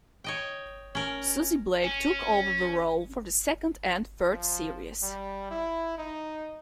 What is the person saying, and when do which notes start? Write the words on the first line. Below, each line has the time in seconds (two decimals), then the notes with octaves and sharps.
Susie Blake took over the role for the second and third series.
0.24 C#5 D#5 G5
0.95 C#4 A#4
1.84 C#4
4.31 F3
5.03 G3
5.51 E4
5.98 D#4